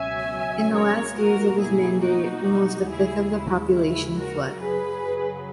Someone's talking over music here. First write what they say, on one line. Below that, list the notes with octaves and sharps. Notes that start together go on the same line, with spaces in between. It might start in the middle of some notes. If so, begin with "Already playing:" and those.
In the last years of his mandate, almost a fifth of the population fled.
Already playing: C#2 B2 F#3 C#4 E5 G#5
A#4 C#5
B2 F#3 A#3 F#4 A#4
E4 G#4
D#4 F#4
D#2 C#3 G#3 E4 G#4
E4
E4
F#4 A#4
F#2 C#3 F#3 G#4 B4